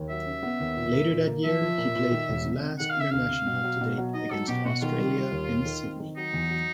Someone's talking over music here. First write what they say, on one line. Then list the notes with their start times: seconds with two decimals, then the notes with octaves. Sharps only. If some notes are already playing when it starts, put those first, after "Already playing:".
Later that year, he played his last international to date against Australia, in Sydney.
Already playing: D#2
0.09 F#3 E5
0.26 C#3
0.43 B3
0.60 D#2
0.77 A#2
0.93 A#3
1.11 A#2
1.27 A#3
1.45 F3 E5
1.61 F3
1.78 A#2
1.95 A#2
2.11 D#3
2.28 E1
2.46 C3
2.63 C3
2.79 D#3 F#5
2.90 F5
2.97 C3 E5
3.11 D2 F5
3.29 C3
3.46 B2
3.64 F#3
3.81 B2
3.98 F#3
4.14 D#4 D#5
4.31 F#3 A4
4.48 B2 G4
4.65 B2 F#4
4.82 D#3 F4
4.99 G3
5.16 G3
5.32 D#2
5.49 D#3
5.66 D#3
5.83 C4
6.00 D#3
6.17 F#3 D#4
6.33 E2
6.50 F#3